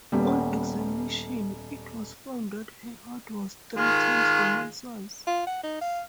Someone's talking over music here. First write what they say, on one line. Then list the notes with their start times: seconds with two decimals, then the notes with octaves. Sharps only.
On examination it was found that her heart was three times normal size.
0.12 D#1 G3 B3 C#4
3.76 D#3 G#3 F4
5.27 F4
5.47 F#5
5.63 D#4
5.81 F5